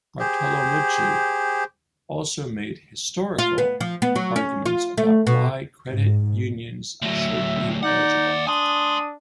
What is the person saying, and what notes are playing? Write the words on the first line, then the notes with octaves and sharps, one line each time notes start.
Bartolomucci also made historical arguments about why credit unions should be eligible.
G4 G#4 C5
F4
B3
F3
B3
F#3
C#4
F4
A3
B2
G#2
D2 F#3 E5
D#2 D#4 D5 F#5
D4 G#5 C6 D#6